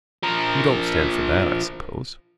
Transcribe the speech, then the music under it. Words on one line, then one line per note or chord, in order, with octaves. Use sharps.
You don't stand for that, I suppose?
F3 A#4